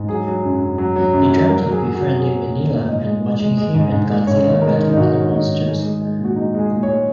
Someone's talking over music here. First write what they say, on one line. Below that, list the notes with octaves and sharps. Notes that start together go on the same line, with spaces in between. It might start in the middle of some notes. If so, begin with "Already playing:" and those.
He dreamt of befriending Minilla and watching him and Godzilla battle other monsters.
Already playing: G#2
F#3 G#4
F#3
F#2
F#2
F#3
F#3
F#2
F#3
F#3 A#4
F#3
G#4
F#3
F#4
F#3
F#3 G#4
A#2
F#3
A#2
G#2 D#5
G#3
G#3
G#3
G#3
G#2
G#2
G#3
G#2 C#5
D#3
G#3 A#4
D#3
D#4
G#2 F#4
G#2
G#2 D#4
D#3
G#3
G#3
G#3
A#2
F#4
G#3 D#4
G#3
G#4
A#2
C#5
G#3